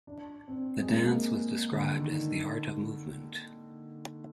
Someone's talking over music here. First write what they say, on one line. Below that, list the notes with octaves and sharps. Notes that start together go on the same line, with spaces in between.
The dance was described as the art of movement.
D4
C4
G#3
A#3
D3
D#3